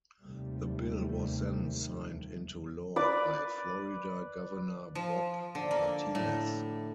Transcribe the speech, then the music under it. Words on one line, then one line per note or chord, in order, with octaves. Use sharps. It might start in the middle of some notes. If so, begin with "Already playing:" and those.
The bill was then signed into law by Florida Governor Bob Martinez.
D#2 C3 G3 A3
B4 D5 D6
F3
D3
A#3
A2